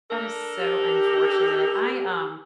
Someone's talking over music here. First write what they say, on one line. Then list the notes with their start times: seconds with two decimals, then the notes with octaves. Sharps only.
That is so unfortunate. I, um,
0.10 D4 A4 A#4
0.58 G4